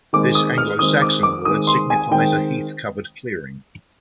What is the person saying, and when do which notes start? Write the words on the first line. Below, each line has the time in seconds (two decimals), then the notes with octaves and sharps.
This Anglo-Saxon word signifies a heath-covered clearing.
0.13 D#3 G#3 C4 D6
0.35 D#6
0.58 F6
0.79 D#3 G#3 C4 D#6
1.02 D6
1.23 D6
1.45 D#3 G#3 C4 D#6
1.67 C6
1.90 G#5
2.11 D#3 G#3 C4 G5